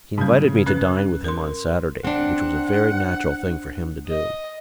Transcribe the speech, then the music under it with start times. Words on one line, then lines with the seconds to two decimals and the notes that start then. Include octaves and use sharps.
He invited me to dine with him on Saturday, which was a very natural thing for him to do.
0.18 G#2 C#3 F#3 G3
0.66 C#4 B4 F#6
1.24 A#4 C6
2.04 C4 D4 F#5
4.07 D#5